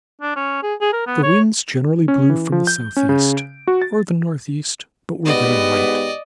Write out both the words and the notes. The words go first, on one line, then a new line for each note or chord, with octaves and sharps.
The winds generally blew from the southeast, or the northeast, but were very light.
D4
C#4
G#4
G#4
A#4
B3
C#5
C#4
E3
F3
G6
C#4
C#3
D7
F#4
A6
G#2 B3 G4 D5 D#5